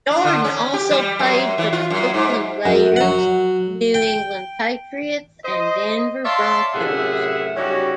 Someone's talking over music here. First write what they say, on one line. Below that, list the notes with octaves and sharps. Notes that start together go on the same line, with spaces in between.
Jordan also played for the Oakland Raiders, New England Patriots and Denver Broncos.
D4
D3
C#4
G4
G3
F#2
E3
F4
F#2
G#2
F#2
F#3 F#5
G5
C5 D#5
C#5 D5 E5 F5 A5 C6
F#2 A2 C3 G#4 E5 F#5
C#3 G3 C#4 D#4 F#4 G4